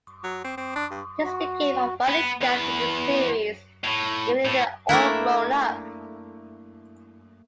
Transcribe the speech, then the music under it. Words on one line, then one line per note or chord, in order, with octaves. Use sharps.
This became of running gag in the series even in All grown up.
F#3
C4
C4
D4
G2
F#4
B3
E2 B4
A2
A2
A3 A#3 D4 E4